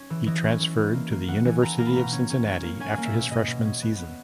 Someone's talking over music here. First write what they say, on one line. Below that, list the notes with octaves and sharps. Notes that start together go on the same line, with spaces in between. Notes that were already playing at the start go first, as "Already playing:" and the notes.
He transferred to the University of Cincinnati after his freshman season.
Already playing: C#4
E3
E3 D#5
C#4
E3
E3
A#3
A#3
E3 F#5
E3 G#5
E3 A#5
A#3 A#5
B5
B2 A#5
C#4
C#4
C#4
A#3
C#4 G#5
A#3
E5
B2
B2 D#5
B2
C#4
B3
B3